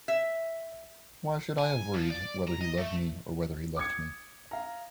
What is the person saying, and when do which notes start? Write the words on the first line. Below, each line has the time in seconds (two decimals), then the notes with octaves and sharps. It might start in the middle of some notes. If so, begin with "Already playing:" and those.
Why should I have worried whether he loved me or whether he left me?
0.08 E5
1.59 G#5
1.94 F3
2.10 D5
2.47 A#5
2.61 D#5
2.78 A3
3.77 D6 D#6 G#6 C#7
4.51 F5 A#5